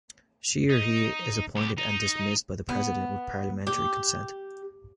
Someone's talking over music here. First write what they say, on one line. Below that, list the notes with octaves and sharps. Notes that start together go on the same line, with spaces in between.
She or he is appointed and dismissed by the president with parliamentary consent.
D#4
C2 G4
D#4
B3
G4